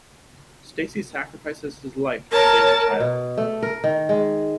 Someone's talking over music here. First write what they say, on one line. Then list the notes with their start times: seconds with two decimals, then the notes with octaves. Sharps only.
Stacy sacrifices his life to save the child.
2.32 A#4 C#5 A5
3.00 B2
3.37 A3
3.63 A#4
3.84 D#3
4.09 G#3